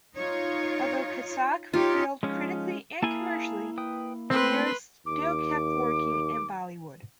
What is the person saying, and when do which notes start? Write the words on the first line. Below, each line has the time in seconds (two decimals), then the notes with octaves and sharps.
Although "Kasak" failed critically and commercially, Meera still kept working in Bollywood.
0.17 D#4 F4 C#5
1.73 D#4 F4 G4 C#5
2.23 F3 G#3 C#4 D#4 F4
3.02 A#3 E4 G#4 F5 G#5 A5
3.78 B4 G5 D#6
4.30 A3 C4 B4 G5 C6
5.06 D#2 D6